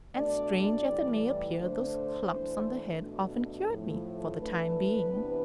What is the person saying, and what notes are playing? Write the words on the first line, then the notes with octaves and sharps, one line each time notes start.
And, strange as it may appear, those clumps on the head often cured me--for the time being.
B2 A3 D4 D5
A2 E3 G3
D3 A3 D4 C5
E3 A3 D4
B2 A3 D4
A2 F3 A3
E3 A3 D4 B4
C3 E3 B3 D4